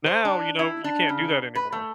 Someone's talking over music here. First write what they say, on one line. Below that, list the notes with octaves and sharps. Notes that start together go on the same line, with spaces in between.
Now, you know, you can't do that anymore.
C5
D4
E4
D4
C#3
B4
A3